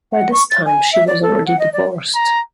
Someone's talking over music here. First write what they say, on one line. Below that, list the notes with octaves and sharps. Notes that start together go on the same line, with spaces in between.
By this time she was already divorced.
F#5
C#6
A6
G#5
E5
D5
A4
F#5
D#5
D5
A#5